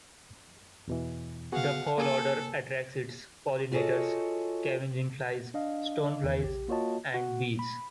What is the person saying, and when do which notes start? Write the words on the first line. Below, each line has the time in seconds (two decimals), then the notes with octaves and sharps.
The foul odor attracts its pollinators, scavenging flies, stoneflies, and bees.
0.88 E2 B2 E3
1.52 B3 F#4 G#4 F5 F#5
1.98 A#3 A4 G#5
3.72 F4 F#4 G#4 A4 C#5 D#5
5.54 D4 D#5 F5
6.23 E2 D#3
6.43 A#1 G4
6.68 A#3 F4 F#4 C#5 D#5 A5
7.14 F#4 F#5
7.59 B5